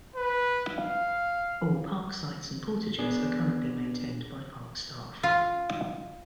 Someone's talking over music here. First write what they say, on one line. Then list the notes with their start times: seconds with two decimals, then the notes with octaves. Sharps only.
All park sites and portages are currently maintained by park staff.
0.16 B4
0.77 F5
2.98 B3 D4 G#4
5.23 F4